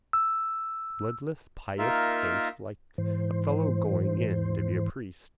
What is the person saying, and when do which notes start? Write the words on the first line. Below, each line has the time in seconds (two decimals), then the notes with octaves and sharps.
Bloodless pious face like a fellow going in to be a priest.
0.13 E6
1.78 A#3 D#4 F4 A#4 E5
2.98 G#2 E3 C5